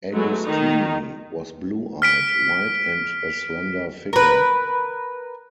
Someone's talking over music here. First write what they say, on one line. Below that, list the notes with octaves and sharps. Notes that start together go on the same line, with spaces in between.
Agustini was blue eyed, white and a slender figure.
F#3 G#3 A3 B3 F#4
D#3 D#4
F6 B6 D7
A#4 B4